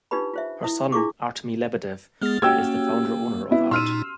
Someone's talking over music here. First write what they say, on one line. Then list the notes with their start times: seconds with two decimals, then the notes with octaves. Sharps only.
Her son, Artemy Lebedev, is the founder-owner of Art.
0.11 D4 D#4 F4 G4 B4 B5
0.34 F4 C5 E5
0.64 E4 D#6
0.92 D4 E4 F4 G#4 C#6 D6
2.22 G#3 B3 G#4 F6 A6
2.42 A#3 C#4 F#4 G4 G5 E6 G#6
3.51 B3 E4
3.71 A#2 D#4 C6 E6 F6 D#7